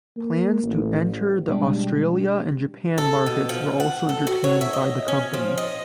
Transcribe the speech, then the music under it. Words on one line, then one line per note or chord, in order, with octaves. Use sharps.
Plans to enter the Australia and Japan markets were also entertained by the company.
A#3
A1
B2 G3 G#3 D4 G4
A4
B2
F3
F#5
A4
F#4
C#5
E5
D#5
C#4
F3
D#5